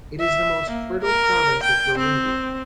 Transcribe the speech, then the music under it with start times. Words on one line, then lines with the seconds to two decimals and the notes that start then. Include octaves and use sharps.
It is the most fertile province of Burundi.
0.20 E5
0.70 A#3
1.02 A#4
1.63 G5
1.98 C4